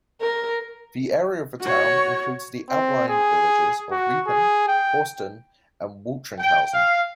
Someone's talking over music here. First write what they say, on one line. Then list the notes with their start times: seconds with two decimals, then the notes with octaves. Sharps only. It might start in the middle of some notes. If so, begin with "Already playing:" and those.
The area of the town includes the outlying villages of Riepen, Horsten and Waltringhausen.
0.21 A#4
1.61 F#4 C#5
2.70 C4
3.09 G#4
3.91 F#4
4.27 G#4
4.68 G5
6.39 G5
6.73 F5